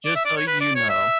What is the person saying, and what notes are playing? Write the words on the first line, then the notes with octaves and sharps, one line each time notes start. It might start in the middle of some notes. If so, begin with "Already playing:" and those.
Just so you know."
D5
E5
D5
C#5
B4
D5
C#5
E5